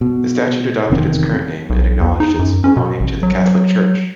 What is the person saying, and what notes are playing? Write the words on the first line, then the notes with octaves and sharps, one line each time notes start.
The statute adopted its current name and acknowledged its "belonging to the Catholic Church".
B2
F1 E2 D#3 C4
B1
E2
D#4
F#2
C#4
B2
A1
F#3